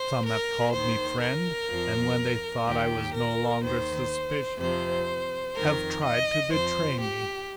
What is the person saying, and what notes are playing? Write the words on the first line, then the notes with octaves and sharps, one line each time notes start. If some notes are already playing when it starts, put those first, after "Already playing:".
Some have called me 'friend,' and when they thought I was no longer suspicious, have tried to betray me.
Already playing: C5
A#4
D#2 D#3 C5
A#4
F2 F3
D#2 D#3 G4
A#4
D#2 D#3 C5
F2 C3 F3 C5
F2 D#3 A#4
D#5
F2 F3 C5
G4